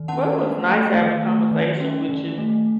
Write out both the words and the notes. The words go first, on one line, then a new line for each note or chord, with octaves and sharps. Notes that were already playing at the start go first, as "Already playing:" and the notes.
Well, it was nice having a conversation with you.
Already playing: D#3
C#4 F#5 A5
A3
A3
D#3
A3
D#3
C#4
D#3
A3